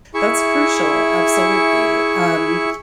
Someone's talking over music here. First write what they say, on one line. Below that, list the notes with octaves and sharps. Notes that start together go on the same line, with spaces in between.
that's crucial, absolutely, um,
E4 G#4 E5 C#6